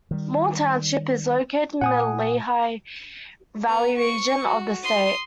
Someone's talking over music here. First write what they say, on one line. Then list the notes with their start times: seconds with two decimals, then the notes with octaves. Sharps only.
Moore Township is located in the Lehigh Valley region of the state.
0.11 D#3 G3
1.81 A#2 F#5 G#5 D#6
3.68 B3 A#5
3.98 C#6
4.44 F#4
4.83 C6 D#6